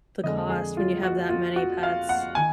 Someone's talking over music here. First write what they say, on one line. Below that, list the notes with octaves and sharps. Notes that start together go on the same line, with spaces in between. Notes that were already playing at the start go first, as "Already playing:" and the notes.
the cost when you have that many pets.
F2 D3 G#3 D#5
G#4
F4
F#4
F4
F#4
F5
F#5
D#3 G#5